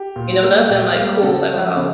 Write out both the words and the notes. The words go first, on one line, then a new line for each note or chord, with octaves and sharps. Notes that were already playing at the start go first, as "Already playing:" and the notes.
you know, nothing like cool, like how,
Already playing: G4
A#2
G3 A#3
A#2 G4
G3 A#3
C#3 A4
F3 A3
C#3